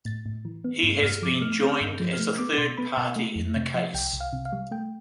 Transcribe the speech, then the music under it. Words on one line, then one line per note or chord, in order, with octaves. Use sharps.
He has been joined as a third party in the case.
A2 A6
A2
E3
B3
G2
G2 F6
F3 D6
A3 F6
C4 G6
F6
G6
G2
G6
F3
F6
A3
B3 D6
B2 C6
B3 B5
B2 A5
A3
F2
C3
F3
C2 G5
C2
F5
C3
F5
G3
A3 G5